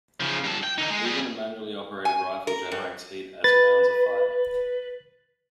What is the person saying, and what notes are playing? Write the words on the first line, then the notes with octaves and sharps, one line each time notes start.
Even a manually operated rifle generates heat as rounds are fired.
C#3 F3
G2 A4
G5
D3 D#4
G#3
G3 G#4
G#5
A#4
G2
B4 A6